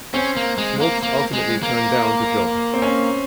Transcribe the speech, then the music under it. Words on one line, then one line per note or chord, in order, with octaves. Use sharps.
Smaltz ultimately turned down the job.
C4 C#4
A#3
G#3
A#3
A#3
G#3
A#3
C4
C#4